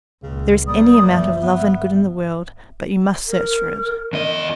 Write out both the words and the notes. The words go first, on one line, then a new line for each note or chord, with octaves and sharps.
There is any amount of love and good in the world, but you must search for it.
C#2 A#2 C#3
G3 A#3 D#6
F#1 F3 E5
G1 B3
A#4
E2 D#5